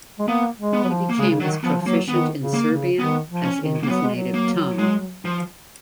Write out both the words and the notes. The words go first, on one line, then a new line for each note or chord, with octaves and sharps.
He became as proficient in Serbian as in his native tongue.
G#3
A#3 B3
G#3
B3
F#3
F3
A#3
C#3 G#3
C#3
D#3 F#3
F3 B3
F3
F#3 A#3
D#3 B3
C#3
A#3
C#3
D#3 B3
F3
C#4
D#3
A#3
F#3 B3
G#3
F#3
A#3
G#3
F3